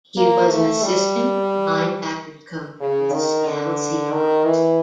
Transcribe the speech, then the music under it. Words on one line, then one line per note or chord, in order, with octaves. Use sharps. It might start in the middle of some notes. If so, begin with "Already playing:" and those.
He was an assistant linebackers coach with the Seattle Seahawks.
A#3
A3
G3
C#3
D#3
D3
D#3
E3